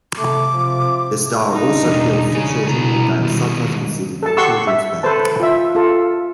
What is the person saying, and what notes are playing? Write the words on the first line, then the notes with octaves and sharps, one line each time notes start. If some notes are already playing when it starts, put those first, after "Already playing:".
Their style also appeals to children, and they are sometimes considered a children's band.
C3 A3 D6
F3
G3 D4 D#4
E2 B2
C#3 G#5
C2 B2 E4 A#5
D#3 G3
G#2
A4 A5
G4 F#5 C6 C#6 E6
E5
A4 B4 C5 A5
F4 E5
F4 A4